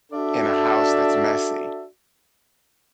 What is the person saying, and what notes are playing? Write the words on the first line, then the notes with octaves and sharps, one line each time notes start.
in a house that's messy,
D4 F#4 A4 D5 E5 A5